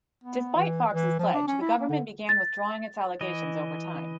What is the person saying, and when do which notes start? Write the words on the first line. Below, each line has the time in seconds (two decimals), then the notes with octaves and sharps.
Despite Fox's pledge, the government began withdrawing its allegations over time.
0.24 B3
0.57 E3
0.94 E3
1.19 F3
1.34 D4
1.48 C#4
1.61 E4
1.78 A#3
1.89 D3
2.29 A6
3.21 E3 D#5